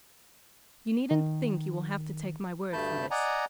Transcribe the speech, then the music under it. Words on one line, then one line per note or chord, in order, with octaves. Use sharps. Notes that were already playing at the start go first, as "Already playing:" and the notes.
You needn't think you will have to take my word for this.
D#3
D2 G2 A3 A5 B5 G6
D5 D#5 F#5 G#5 A#5